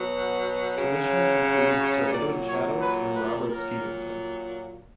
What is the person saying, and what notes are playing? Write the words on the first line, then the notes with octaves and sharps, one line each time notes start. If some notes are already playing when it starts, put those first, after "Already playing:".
Commissioners included Sir Edwin Chadwick and Robert Stephenson.
Already playing: B2 F#3
C#3 F#3
F#4
A#2 F#3 D5
C#5
B4
B4
A#2 F#3 A#4